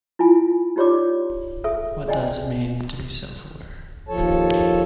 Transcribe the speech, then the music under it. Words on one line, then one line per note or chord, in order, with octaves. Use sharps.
What does it mean to be self-aware?
E4 F4 G#5
D#4 F4 G4 C#5 D5 D6
G#4 A4 E5 D#6
G#4 D5 D#5 G5 G#5
D#2 F3 A4 C#5 A5